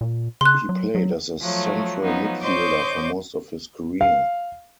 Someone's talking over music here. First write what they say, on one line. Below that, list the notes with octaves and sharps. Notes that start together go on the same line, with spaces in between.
He played as a central midfielder for most of his career.
A#2
C#3 C6 F#6
F#3
F#3
F3 F#3 A3
F3 F#3 B3 D#4
C5 C#5 D#5 C#6 D6 G6
F5